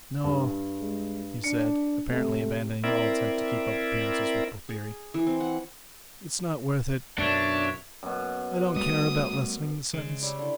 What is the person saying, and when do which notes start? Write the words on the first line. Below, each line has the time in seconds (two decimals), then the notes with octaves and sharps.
"No!" he said, apparently abandoning all attempt to keep up appearances with Porfiry, "it's not worth it, I don't care about lessening the sentence!"
0.24 G2
0.80 G#3
1.44 D4 C#7
2.09 C3 A3
2.84 C4 E4 A#4 D5 E5
4.69 G#4
5.14 E3
5.27 C4
5.40 F#5
7.19 F#2 B2 D4 C#5 E5
8.03 F#2 B2
8.76 G3 A3 D#6
9.93 C#3 G#3
10.22 G3 C#5 E5
10.39 D3 E4